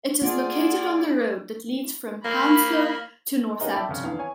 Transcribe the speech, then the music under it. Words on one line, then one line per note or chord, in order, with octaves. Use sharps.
It is located on the road that leads from Hanslope to Northampton.
A#3 F4 G#4 D5 F#5
A#3 B5
G3 B3 C#4 D#4 G#4 A#4
D5 E5 G5 A5 D6
F1 C#3
E2 F5
C#5 G#5